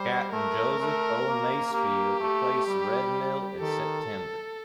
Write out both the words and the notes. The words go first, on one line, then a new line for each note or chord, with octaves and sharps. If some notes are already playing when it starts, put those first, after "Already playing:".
Captain Joseph O. Masefield replaced Redmill in September.
Already playing: G3 C5
A3 A#4
A3
A#3
A#3 G4
A3
G3
D#3 A4